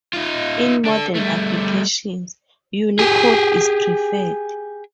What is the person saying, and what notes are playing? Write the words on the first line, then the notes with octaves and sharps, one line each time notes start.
In modern applications, Unicode is preferred.
D#4 F4
D4 A4
G3 A3
G4 G#4